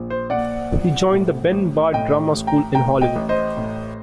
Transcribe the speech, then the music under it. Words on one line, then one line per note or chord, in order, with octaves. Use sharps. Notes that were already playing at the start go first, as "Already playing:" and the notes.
He joined the Ben Bard Drama School in Hollywood.
Already playing: A#1 A#2
C5
A#2 D5 F#5
A#1
A2
A1
A2 D#5 G5
A1
G5 A#5
A2 G5 A#5
D#5 G5
A1
C5 D#5
A2